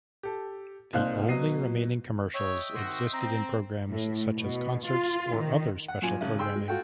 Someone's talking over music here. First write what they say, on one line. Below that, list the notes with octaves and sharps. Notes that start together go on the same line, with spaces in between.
The only remaining commercials existed in programs such as concerts or other special programming.
G4 A4
C2 A#2 D#4 C5 F5 F#6
B2 F#3 D#5 C7 D#7
C#5 D#5 E5 G5
D#3 C4 F#4 C6
C4 A#5
A2
B2
F4
D#3
F#5
F#2 A#2 G#5
G#1 C#3
G#4 G5 C6 E6
G#3
F4 F#4 A4 G5